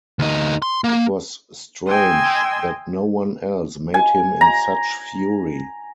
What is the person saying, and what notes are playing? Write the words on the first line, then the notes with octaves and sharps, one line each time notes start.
It was strange that no one else made him in such fury.
D2 D#4
C6
A#3
D#5 G5 G#5 C6 E6
G#5
A#5